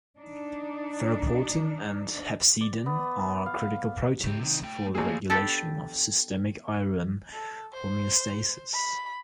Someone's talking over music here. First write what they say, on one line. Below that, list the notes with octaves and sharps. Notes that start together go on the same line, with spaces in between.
Ferroportin and hepcidin are critical proteins for the regulation of systemic iron homeostasis.
D4 D#4
D5
B3
F5
C#3 G4
C3 D#3
A3 G5
A1 A#3 G#4
B3 D4 G4 A4
A4
C5
B5